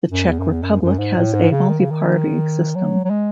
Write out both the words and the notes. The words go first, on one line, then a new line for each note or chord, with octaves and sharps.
The Czech Republic has a multi-party system.
F#2
E2
F#2
E2
F#2
F#2
G#2
A2
G#2
C#3
D#3
C#3
D#3
F#3
F#3
G#3